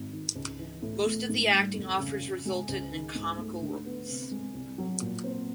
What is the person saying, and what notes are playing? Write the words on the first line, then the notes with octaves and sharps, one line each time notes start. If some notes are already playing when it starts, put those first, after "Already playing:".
Most of the acting offers resulted in comical roles.
Already playing: G#1
D#3
C#2
E3
A2
A3
G#2
G3
F1
C#3
C#3
G#3
C#2
D#3
G#2
A3
D3
B3
C3
G#3
C2
F#3
A#2
C4